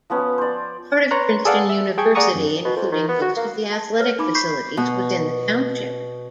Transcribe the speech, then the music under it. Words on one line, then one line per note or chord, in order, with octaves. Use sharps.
Part of Princeton University, including most of the athletic facilities, was in the township.
F3 B3 C#4
C5 D5
B4 C#5 A#5 C6 F#6
G#4 A4 B4 D5 F5 F#5
E5
G#4 G5 A5 C#6 G#6
G#4 D5 F#5 A#5 C#6 D#6
F#2
B2
F2
D#3
B3
F#4
A#3
A5
B4 C#5 F6
D#4 B5 D6
B5 C#6 G6 B6 C7
B2